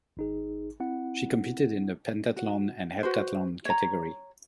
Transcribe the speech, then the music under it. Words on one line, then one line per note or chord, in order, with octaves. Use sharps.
She competed in the pentathlon and heptathlon category.
G#1 D#4 G#4
C4 E4 F#5
F#4
F#4 B4 C5
C#5 A#5